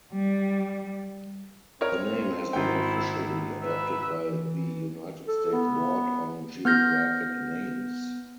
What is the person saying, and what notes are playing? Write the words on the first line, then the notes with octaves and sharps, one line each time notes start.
The name has been officially adopted by the United States Board on Geographic Names.
G3
C4 A#4 C#5
G#1 E4 G5
B4 E5
E3
A4
B3
B3 F6 G6 A#6